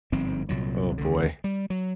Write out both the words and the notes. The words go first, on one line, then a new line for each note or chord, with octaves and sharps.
Oh, boy.
G1 G#2 F3 C4
C2 A#2 F#3
C#2 D3
G3
F#3